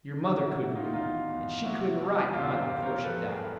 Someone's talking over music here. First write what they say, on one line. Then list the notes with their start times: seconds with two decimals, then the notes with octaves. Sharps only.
Your mother couldn't read, and she couldn't write, nuther, before she died.
0.23 C3 E4 F#4
0.40 E4 F#4
0.57 D#3 E4 F#4
0.75 D#4 F4
0.93 E2 D#4 F4
1.29 E2
1.63 C3 E4 F#4
1.99 F3
2.33 E2 F4 G4
2.51 A#4 C5
2.69 E2
2.82 C#5
2.86 A#4 C5
3.04 F3 A4 B4
3.27 G#4 A#4
3.39 A2